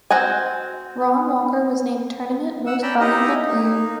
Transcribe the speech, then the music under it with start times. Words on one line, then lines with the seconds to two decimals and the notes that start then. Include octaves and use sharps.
Ron Walker was named Tournament Most Valuable Player.
0.11 C4 F#4 F#5 G#5
2.67 F#5 E6
2.82 C#4 D5 G5 A#5 B5 E6
3.00 D#4 E4 G4 D#5 A#5
3.47 A#3 D#4